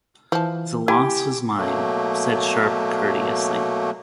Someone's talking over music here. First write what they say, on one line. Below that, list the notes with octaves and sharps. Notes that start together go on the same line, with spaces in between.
"The loss was mine," said Sharp courteously.
E3 F3 A5
E4 G4 G#5
B2 F#3 A3 A#3